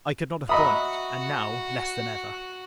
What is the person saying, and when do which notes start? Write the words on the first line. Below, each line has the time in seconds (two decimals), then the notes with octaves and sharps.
I could not have borne it; and, now, less than ever.
0.49 F#4 D#5 E5 A#5 B5 D#6